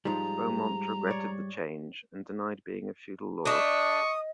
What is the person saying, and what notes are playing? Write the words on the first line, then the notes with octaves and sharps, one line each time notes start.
Beaumont regretted the change and denied being a feudal lord.
G#2 F3 G3 G#3 A#5
C#5 D5
A3 D4 D#5 C#6 D#6